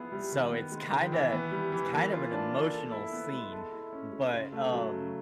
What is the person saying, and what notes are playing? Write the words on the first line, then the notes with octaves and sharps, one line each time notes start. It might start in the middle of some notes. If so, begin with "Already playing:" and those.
So it's kinda it's kind of an emotional scene. But, um,
Already playing: F3 B3 E4 G#4
G3
D#3
B3
G#3
D#3
E3
B3
G3
E3
A#3
F4
D4
A#3
A4
E4
B3
G#3
A4
E4
C#4
G#3
C#3
A3
F#3
C#3